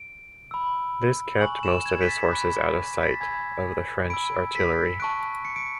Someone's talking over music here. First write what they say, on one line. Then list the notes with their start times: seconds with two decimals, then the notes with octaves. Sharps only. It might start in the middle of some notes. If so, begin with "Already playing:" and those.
This kept most of his forces out of sight of the French artillery.
Already playing: D7
0.51 B5 E6
1.41 G#5 C#6 F#6 F#7
1.63 E7
1.86 G#6
2.01 B6
2.08 A6
2.31 B5 D6 F#6
3.01 B6
3.11 A6
3.21 G#5 B5 E6 G#6
4.10 B5 E6 D7
4.55 B6
5.00 A5 C#6 F#6 D7
5.45 C#7
5.56 D7